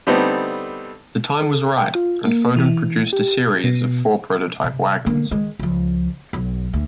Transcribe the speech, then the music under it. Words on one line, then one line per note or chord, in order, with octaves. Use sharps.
The time was right and Foden produced a series of four prototype wagons.
D3 G3 A3 B3 C4 D#4
A4
G5
F4
A#3
E3
G4
B2
C3
D3 A#3
D#3 G#3
C#2 F3
B1 F#3
D2